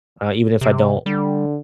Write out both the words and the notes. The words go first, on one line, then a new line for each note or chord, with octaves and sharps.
uh, even if I don't,
C3
D3 G3